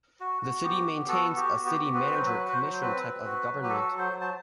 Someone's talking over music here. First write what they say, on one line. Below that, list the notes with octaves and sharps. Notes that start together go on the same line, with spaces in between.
The city maintains a city manager commission type of government.
F#4
F#4
B3 G4
B3
F#4 A4
F#4
G4
B3
G4
F#4
C4 B4
F#3 C5
B4
F#4
B4
C5
F#3
C5
C4 B4
C4
F#4
F#3
G4
F#4 A4
F#3
C5
F#3
A5